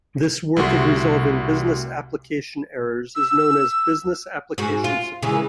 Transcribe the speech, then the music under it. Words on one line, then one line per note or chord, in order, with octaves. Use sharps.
This work of resolving business application errors is known as business application support.
C2 G3 A3 F#4 C6
E6
G#2 F#4
F4
C#3 E3 G#3